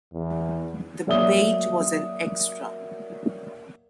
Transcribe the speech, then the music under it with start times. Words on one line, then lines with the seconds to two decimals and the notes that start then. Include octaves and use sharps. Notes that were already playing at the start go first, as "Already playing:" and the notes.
The bait was an extra.
0.13 E2
1.07 F#3 A#3 D5 E5 D#6 G7